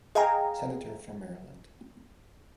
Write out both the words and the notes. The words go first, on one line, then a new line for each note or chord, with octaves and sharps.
Senator from Maryland.
G#4 D#5 F5 G5 G#5 A#5